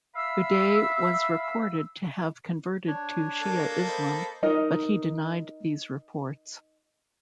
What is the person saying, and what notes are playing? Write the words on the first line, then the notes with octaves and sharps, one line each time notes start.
Uday was reported to have converted to Shia Islam, but he denied these reports.
E5 F5 B5 E6
D4 C#5
A#3 A4
C5 D#5 B5
D#4 A#4 D#5